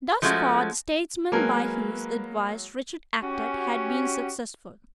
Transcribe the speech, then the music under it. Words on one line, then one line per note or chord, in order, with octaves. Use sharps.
Thus far the statesmen by whose advice Richard acted had been successful.
F3 G#3 A3 C#4 F#4
F#3 G#3 A#3 A#4 B4 G#5
C#4 F#4 G4